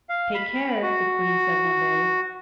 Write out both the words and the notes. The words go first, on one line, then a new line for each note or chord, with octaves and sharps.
"Take care," the Queen said one day.
F5
B5
F#4